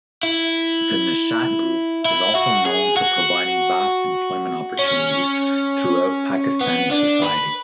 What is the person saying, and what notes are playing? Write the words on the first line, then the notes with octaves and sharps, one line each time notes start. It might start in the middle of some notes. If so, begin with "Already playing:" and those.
The Nishat Group is also known for providing vast employment opportunities throughout Pakistani society.
E4
E4
F#4
G#4
F#4
C#4
B3
D4
B4